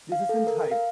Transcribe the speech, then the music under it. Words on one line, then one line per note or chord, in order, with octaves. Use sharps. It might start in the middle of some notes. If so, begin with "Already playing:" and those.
This isn't hype.
F5
A4
A#4
F5